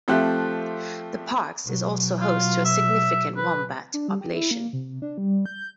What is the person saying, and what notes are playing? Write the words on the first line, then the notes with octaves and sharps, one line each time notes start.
The parks is also host to a significant wombat population.
F3 A3 C4 G4 F#6
B2 F#3
F4
E5
B4
D4
G3
G4
E4
A#3
C3
D4
G3
G6